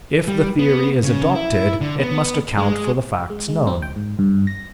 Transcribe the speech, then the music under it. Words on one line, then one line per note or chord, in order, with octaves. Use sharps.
If the theory is adopted it must account for the facts known.
G3
B3
C#3
E4
D3
B3
G#3
G#3
G#3
C4
G5
G#2
G2
A#6